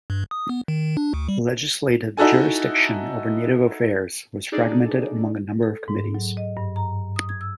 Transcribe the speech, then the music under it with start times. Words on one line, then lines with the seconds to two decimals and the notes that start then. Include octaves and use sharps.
Legislative jurisdiction over Native affairs was fragmented among a number of committees.
0.10 G2
0.31 D#6
0.49 B3
0.68 D#3
0.97 D4
1.14 D2
1.28 G3
2.17 D#4 E4 F#4 A4 G#5
4.52 D4 D#4 G#4 A4 D5
5.63 A4
5.88 G#2
6.15 F#3
6.37 D#5
6.57 G2
6.76 A#5
7.16 D#6
7.29 G#6
7.41 E6